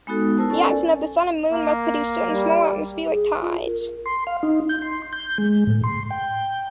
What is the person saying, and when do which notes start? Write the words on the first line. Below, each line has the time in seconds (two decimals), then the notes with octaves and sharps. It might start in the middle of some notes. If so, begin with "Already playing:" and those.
The action of the sun and moon must produce certain small atmospheric tides.
0.07 G#3 B3 D#4 F#4 A4
0.38 E4 A#4 C5 A5
0.50 C#4 A4 D5 G#5
1.51 A#3
2.27 G3
3.10 G#4
3.41 F4
3.66 A#4
4.06 C6
4.27 F5
4.43 D#4
4.69 G6
4.82 C6
5.13 G6
5.38 G#3
5.67 A2
5.83 C6
6.11 G5